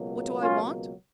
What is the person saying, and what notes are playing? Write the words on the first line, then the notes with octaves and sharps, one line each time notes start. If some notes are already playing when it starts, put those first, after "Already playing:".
What do I want?
Already playing: C#2 B2 F#3 A#3
C#4 F4